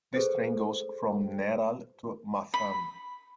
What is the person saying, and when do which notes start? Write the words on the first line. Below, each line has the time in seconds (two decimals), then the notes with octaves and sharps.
This train goes from Neral to Mathran.
0.14 G#4 A4 B4 C5
2.54 B5